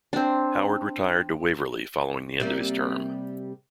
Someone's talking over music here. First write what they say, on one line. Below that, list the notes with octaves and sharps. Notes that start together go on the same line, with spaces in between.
Howard retired to "Waverly" following the end of his term.
C4 D4
C3 G3 A#3